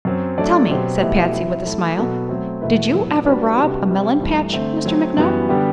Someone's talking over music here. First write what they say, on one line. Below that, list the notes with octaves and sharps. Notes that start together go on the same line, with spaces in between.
"Tell me," said Patsy, with a smile, "did you ever rob a melon-patch, Mr. McNutt?"
F#2 F#3 C4
F#3 A3 D4 A4 D5
B2 F#3 C4 G4 C5
B2 F#3 A3 E4 G4
F#3 C4 E4
F#3 A3 E4 A4
B2 F#3 B3 F#4 A4
F#3 A3 C4
E2 B2 A3 E4 B4
A2 F#3 B3
G3 D4 F#4 B4 D5
C3 G3 D4 F#4 B4
C3 G3 C4
G2 E3 A3 D4
D3 A3 C4
F#3 A3 C4
F#2 E3 G3 B3 F#4
D3 G3 B3 D4 G4